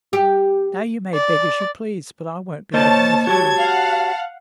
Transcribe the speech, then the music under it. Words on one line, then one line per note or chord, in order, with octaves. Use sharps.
Now you may beg as you please, but I won't be open with you.
G4
D5
A#3 C5 C#5 D#5 A5 A6
F#4 G4 C#5 A5 G#6
F5 F#5